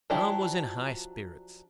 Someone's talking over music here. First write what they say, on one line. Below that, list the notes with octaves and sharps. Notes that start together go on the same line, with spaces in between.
Tom was in high spirits.
F3 F#3 D4 E4 G4